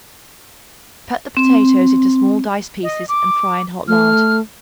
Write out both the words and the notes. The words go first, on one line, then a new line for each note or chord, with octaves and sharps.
Cut the potatoes into small dice pieces and fry in hot lard.
C4
D#5
D6
A3 F6